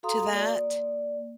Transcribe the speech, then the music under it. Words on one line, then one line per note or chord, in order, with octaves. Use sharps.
to that.
F#4 A4 F5 A#5 C6 D#6
A#3 D5